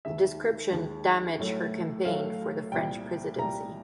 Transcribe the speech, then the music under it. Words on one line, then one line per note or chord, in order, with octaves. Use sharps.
The description damaged her campaign for the French presidency.
D#2 D#3 G#3 E5
D#2 D#3 G#3
A2 F#3 A3
A2 F#3 A3 F5
C2 A#2 G3 G5
C2 A#2 G3 A#5